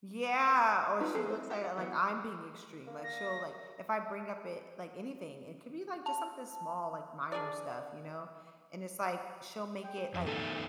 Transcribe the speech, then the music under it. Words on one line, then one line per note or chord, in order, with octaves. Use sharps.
Yeah, or she looks at it like I'm being extreme, like she'll like if I bring up it like, anything, it could be like just something small like minor stuff, you know, and it's like she'll make it like
C#4 D#4 F4 B4
F3 G#4 A4 B4
G#3 C4 E4 C5
F4 G4
F#5
E3 F#3 B3
A#3
A#6
A5
D4 G#4 A#4 D5
G5
F2
A3 B3 D#4 A4